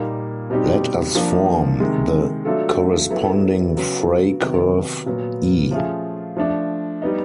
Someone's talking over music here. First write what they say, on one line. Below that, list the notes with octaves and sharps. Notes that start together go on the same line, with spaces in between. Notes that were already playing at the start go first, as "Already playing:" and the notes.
Let us form the corresponding Frey curve "E".
Already playing: A#2 G3 A#3 D#4
B2 G3 C4 D#4 G4
F3 A#3 D4
C3 D#3 G#3
F#3 A3 D4 F4 A4
F#3 B3 E4 A4
C#3 F#3 B3
C3 D#3 F#3 B3 D#4
A#2 F#3 B3
F3 A3 C#4 F4 G#4
F3 A3 D4
G3 B3 D#4